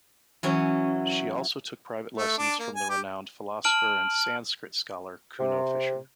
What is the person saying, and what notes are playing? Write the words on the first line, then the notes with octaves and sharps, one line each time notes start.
She also took private lessons from the renowned philosopher and Sanscrit scholar Kuno Fischer.
E3 F#3 C#4
A3
D4
A#3
G#5
G4
A5 F6 D7 F#7
C3